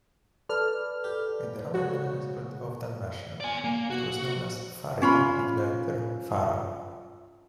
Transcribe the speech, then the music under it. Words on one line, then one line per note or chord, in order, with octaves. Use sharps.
In the Roman province of Dalmatia, it was known as Pharia and later Fara.
A4 B4 D5 F6
G4
G#2 C#3 F#4
D5 G#5
A#3
F#4
C#4 F4 B5